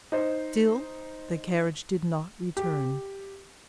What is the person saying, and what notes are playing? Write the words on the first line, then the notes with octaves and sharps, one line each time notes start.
Still, the carriage did not return.
D#4 C5
G4